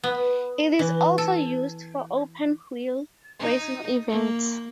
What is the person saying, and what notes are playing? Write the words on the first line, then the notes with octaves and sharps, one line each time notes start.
It is also used for open wheel racing events.
B3
E3
A4
D#4
A#3